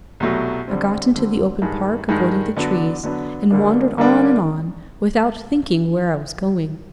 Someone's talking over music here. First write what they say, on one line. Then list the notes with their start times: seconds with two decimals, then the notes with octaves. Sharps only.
I got into the open park, avoiding the trees, and wandered on and on, without thinking where I was going.
0.20 C2 B2 F#3 A3
0.68 D3 G3 C4
1.15 D3 G3 C4
1.62 G2 D#3 G#3
2.09 G2 D#3 G#3
2.57 D3 F#3 B3 D4
3.03 D3 F#3 B3 D4
3.51 D2 D3 G3 A#3 D4
3.98 D3 G3 A#3 D4